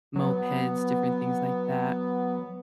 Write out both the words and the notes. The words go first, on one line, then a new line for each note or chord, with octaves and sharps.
mopeds, different things like that.
F#3 B3